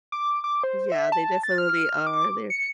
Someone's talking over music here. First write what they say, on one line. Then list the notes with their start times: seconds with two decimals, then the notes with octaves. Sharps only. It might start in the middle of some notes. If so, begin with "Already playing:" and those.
Yeah, they definitely are, they're
0.12 D6
0.44 D6
0.64 C5
0.92 E5
1.12 A5
1.43 A6
1.58 F6
2.07 D6
2.50 C#7